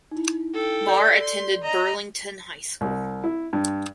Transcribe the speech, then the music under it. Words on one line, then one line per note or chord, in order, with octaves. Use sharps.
Maher attended Burlington High School.
D#4 E4
A4 G5
D5 G6
C6
D#5 A#5
C2
E4
G2